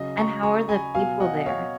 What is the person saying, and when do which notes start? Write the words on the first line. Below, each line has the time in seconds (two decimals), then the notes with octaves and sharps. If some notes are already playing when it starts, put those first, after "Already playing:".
And how are the people there?
Already playing: C#3 F#3 D#5
0.17 A#5 C#6
0.43 A#5 C#6
0.69 G#5 B5
0.94 B2 F#3 F5 G#5
1.20 D#5 F#5
1.46 C#5 F5